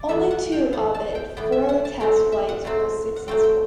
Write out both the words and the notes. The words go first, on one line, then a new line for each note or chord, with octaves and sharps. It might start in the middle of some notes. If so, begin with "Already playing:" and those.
Only two of its four test flights were successful.
Already playing: D5
A2 E3 B3 E5
F#5
G5
A2 E3 B3 F#5
A5
G5
A2 E3 B3 G5
E5
F#5
A5
A2 F#3 A3 C4 G5
F#5
E5
F#5
A2 F#3 A3 C4
F#5
A2 F#3 A3 C4 G5
G5